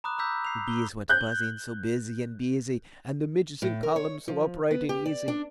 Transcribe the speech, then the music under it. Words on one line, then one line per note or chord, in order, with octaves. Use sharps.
The bees went buzzing, so busy and beesy, And the midges in columns so upright and easy.
A#5 B5 D6 D#6 F#6
A#5 B5 D6 E6 G6 B6
C7 F7
G7
F#6 G6
A2
A#4
C#5
F3
B3
G4
D5
D4